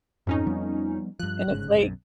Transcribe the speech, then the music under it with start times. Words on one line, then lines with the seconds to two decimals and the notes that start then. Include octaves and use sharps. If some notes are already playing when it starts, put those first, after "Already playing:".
and it's like,
0.27 F2 G#2 C#4 D#4
0.47 F3 G3 B3
1.19 G2 F3 F#6
1.47 G1 G#2 C#3
1.77 B1 F#2